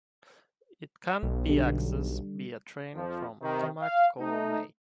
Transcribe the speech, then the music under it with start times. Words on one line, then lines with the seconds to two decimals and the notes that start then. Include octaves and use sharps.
It can be accessed via train from Tomakomai.
1.23 B1
1.49 D3 G3
2.96 F2 F3
3.42 C3 D#3
3.82 F5
4.20 A3 D#4